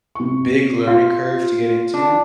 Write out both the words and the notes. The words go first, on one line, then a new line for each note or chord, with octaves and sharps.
a big learning curve to get into
C3 C#6
F4 F5 C6
D4